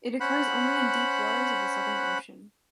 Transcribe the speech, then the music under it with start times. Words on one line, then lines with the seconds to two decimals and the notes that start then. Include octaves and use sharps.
It occurs only in deep waters of the Southern Ocean.
0.20 C#4 C5 F#5 B5 F#6